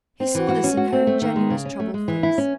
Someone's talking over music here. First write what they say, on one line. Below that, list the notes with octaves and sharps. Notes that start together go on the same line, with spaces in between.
He saw this in her ingenuous troubled face.
C4
E3
F#4
C#4
F#4
C4
A3
D#3
G#3
C#3
C#4
A3
G#3
E3
E4
C#4